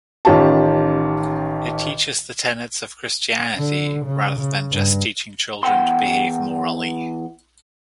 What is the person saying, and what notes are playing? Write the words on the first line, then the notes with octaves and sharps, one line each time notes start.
It teaches the tenets of Christianity rather than just teaching children to behave morally.
A1 D#3 C#4 F4 G4 A5
D3
C#3
C#3
G2
E2 F#5 G5 C6